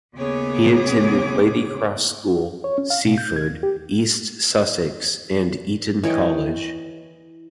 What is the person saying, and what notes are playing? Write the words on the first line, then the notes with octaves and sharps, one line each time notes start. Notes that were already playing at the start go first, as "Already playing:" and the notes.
He attended Ladycross School, Seaford, East Sussex and Eton College.
D#2 C#3 B3 G#4 C#5 D6
C#5
C#4
F5
B2
G6
G#6
D#2
G4
E3 C#5 D#5 G5